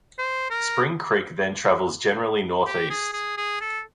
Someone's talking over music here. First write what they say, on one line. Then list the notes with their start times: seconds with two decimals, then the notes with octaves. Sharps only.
Spring Creek then travels generally northeast.
0.19 C5
0.50 A#4
2.67 G4
2.90 G#4
3.14 G#4
3.38 G#4
3.61 A4